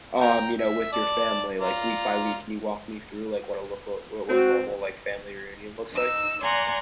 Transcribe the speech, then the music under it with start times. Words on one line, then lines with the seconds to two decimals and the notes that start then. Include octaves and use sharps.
um, you know, with your family, like, week by week? Can you walk me through, like, what a look a what what a normal, like, family reunion looks like?
0.21 G5 A#5
0.59 E5
0.92 D5 A5
1.60 F4 D5 A#5
4.29 C4 F#4
5.92 D#4 E6
6.41 D5 F#5 G#5 A#5 C6